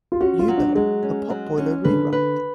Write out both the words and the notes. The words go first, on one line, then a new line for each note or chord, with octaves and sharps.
You know, a potboiler rewrite.
F4
C#4 F#4
F4
F#3
D4
F#3 G#3
C#4
F#3
C#4
D3 B4
B4